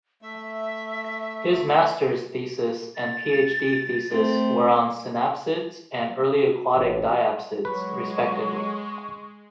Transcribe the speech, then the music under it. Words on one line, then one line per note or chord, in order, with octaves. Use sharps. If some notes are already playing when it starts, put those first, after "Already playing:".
His Masters thesis and Ph.D. thesis were on synapsids and early aquatic diapsids respectively.
A3 E5
A6
A3 C4
F#4
A1
F#3 G#3 B4 C#6